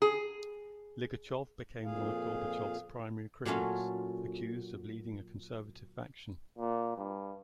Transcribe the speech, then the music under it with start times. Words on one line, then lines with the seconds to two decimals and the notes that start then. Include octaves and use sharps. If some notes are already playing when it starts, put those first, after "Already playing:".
Ligachyov became one of Gorbachev's primary critics, accused of leading a conservative faction.
0.02 G#4
1.84 F2 A#2 G#4 F5
3.45 A#2 F#3 A3 C#4 F4
6.58 A#2
6.97 G2